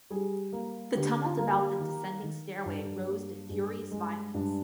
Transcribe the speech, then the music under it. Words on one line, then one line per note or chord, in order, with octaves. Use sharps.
The tumult about the descending stairway rose to furious violence.
G3 G#4
A#3
D3 G4
F4
A#3
G4
D#3
D#3
G2
A#3
G2 G#4
G#3
G2 D4